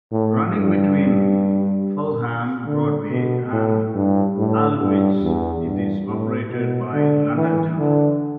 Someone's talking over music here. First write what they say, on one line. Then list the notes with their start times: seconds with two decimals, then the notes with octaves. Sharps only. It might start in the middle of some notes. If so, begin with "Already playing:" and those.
Running between Fulham Broadway and Aldwych, it is operated by London General.
0.12 A2
0.53 G2
2.66 D3
3.10 B2
3.53 A2
3.95 G2
4.37 A2
4.80 G2
5.23 E2
5.66 G2
6.08 A2
6.50 B2
6.93 D3
7.36 E3
7.78 D3